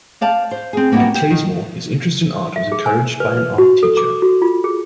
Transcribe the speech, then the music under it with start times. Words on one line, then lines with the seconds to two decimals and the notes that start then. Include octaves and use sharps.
At Claysmore his interest in art was encouraged by an art teacher.
0.21 C5 D5 F5 A5
0.51 C5
0.73 C4 G#4
0.92 G3 A#3 B3 D4 F#4
1.14 G4
1.30 D#3
2.56 E5
2.72 G#4
2.86 G#5
3.20 B4
3.37 B4
3.58 F#4
3.83 A4
3.97 D6
4.22 F#4
4.42 F4
4.64 G#4